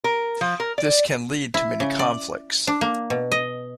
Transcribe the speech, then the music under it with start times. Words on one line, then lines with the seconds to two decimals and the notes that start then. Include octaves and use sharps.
This can lead to many conflicts.
0.04 A#4
0.41 F3
0.60 A#4
0.78 D5
1.54 E4
1.80 C#3
1.99 D5
2.67 D4
2.81 A#3
3.10 B2
3.32 D#5